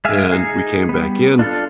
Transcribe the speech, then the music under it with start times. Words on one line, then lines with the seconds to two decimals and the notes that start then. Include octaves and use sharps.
And we came back in,
0.05 G#3 E5 F5 G#5
0.32 D#4 G#4
0.89 G3 B3
1.39 D4 F4 A4